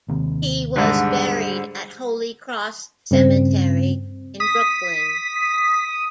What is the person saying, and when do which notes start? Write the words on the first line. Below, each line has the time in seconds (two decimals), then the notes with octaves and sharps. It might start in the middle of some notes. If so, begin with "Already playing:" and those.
He was buried at Holy Cross Cemetery in Brooklyn.
0.09 D#2 C3
0.76 G#2 D3 G3 G#3
3.11 G2 C#3 C4
4.40 D#6 B6